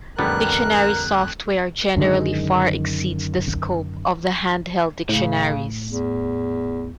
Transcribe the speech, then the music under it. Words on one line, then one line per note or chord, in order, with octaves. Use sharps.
Dictionary software generally far exceeds the scope of the hand held dictionaries.
A1 F2 D3 G3 B3 A#4 F#6
F#2 D3 D#3 G#3
A2 C#3
E2